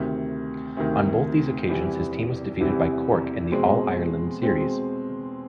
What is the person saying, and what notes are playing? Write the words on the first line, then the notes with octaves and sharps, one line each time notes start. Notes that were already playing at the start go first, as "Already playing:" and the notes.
On both these occasions his team was defeated by Cork in the All-Ireland series.
Already playing: D2 C3 D#3
D2 C3 D#3
E2 C3 E3 G3
E2 C3 E3 G3
B2 G#3 C4
B2 G#3 C4